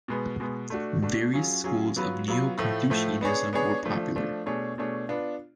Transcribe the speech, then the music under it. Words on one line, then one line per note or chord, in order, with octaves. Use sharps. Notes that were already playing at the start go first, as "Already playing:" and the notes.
Various schools of neo-Confucianism were popular.
B2 G#3 B3
B2 G#3 B3
A3 D4 F#4
A3 D4 F#4
F#3 C#4 F4 G#4
F#3 C#4 F4 G#4
F#3 B3 F4 B4
F#3 B3 F4 B4
A2 F3 A3
A2 F3 A3
B3 D4 G#4 C#5
B3 D4 G#4 C#5
F3 A3 D4
F3 A3 D4
B2 A3 D4 G#4 C#5
B2 A3 D4 G#4 C#5
B3 D4 F4